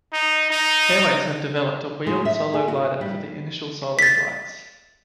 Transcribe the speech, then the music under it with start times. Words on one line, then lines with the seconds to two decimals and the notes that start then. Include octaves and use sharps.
Airways have developed a wheeled solo glider for the initial solo flights.
0.13 D#4
0.51 D#4
2.07 G#3
2.25 E5
2.54 G#4
2.68 F#4
3.01 G3
3.99 A6 B6